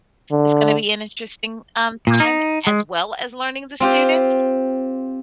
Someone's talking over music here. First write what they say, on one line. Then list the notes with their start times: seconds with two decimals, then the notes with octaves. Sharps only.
It's gonna be an interesting, um, time as well as learning the student.
0.31 D3
2.07 A#2
2.20 D#4
2.67 G#3
3.80 C4 F4 G4